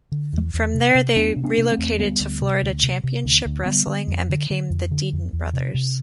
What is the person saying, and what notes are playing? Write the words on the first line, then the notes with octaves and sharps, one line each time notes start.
From there they relocated to Florida Championship Wrestling and became The Deaton Brothers.
D3
E2
E2
C3
C3
E2 B3 D4
C3
B3 D4
C3
A3 C4
E2
D2 G3 B3
D2
C3
D2
C3
C3
D2
D2
D3 G3 B3
D3
F2
D3
D3
F2
D3
F2
E2
C3
C3